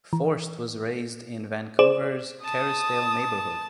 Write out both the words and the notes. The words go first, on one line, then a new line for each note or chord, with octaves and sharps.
Forst was raised in Vancouver's Kerrisdale neighborhood.
E3
G#4 C5 D5 E7
A5 D#6